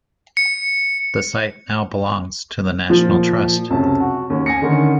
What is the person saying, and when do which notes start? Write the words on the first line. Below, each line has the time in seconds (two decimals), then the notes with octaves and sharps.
The site now belongs to the National Trust.
0.37 C#7
2.89 A#2 F3
3.70 C#2 F#2 C3 C#4 A5
4.00 F#4
4.30 D#2 C#4
4.46 G#5 A#6 C#7
4.62 D3 D#3 C#4